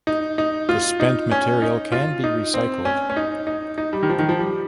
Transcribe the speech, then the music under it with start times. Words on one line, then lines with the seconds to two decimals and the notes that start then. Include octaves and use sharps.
The spent material can be recycled.
0.07 D#4
0.38 D#4
0.69 F4
1.00 D#4
1.31 C#4
1.62 D#4
1.92 F4
2.24 D#4
2.54 C4
2.85 C#4
3.10 C#4
3.17 D#4
3.47 D#4
3.78 D#4
3.93 G3
4.03 D#3
4.09 F3
4.19 D#3
4.29 F3
4.39 G3